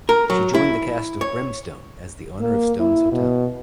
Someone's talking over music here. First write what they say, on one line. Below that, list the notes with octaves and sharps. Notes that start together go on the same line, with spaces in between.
She joined the cast of "Brimstone" as the owner of Stone's hotel.
A#4
F#3
E4
C#5
A#3
E4
B2